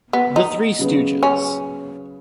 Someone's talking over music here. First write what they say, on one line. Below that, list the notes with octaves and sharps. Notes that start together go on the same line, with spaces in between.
The Three Stooges.
B3
D#4
C#3 F#3 B3
C#4